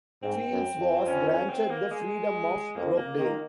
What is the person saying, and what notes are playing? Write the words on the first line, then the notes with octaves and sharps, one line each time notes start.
Fields was granted the Freedom of Rochdale.
G#2 C4
F#2
F2
C#4
C#4
C4
A#3
G#3
F2 A#3
A#3
D#3 A#3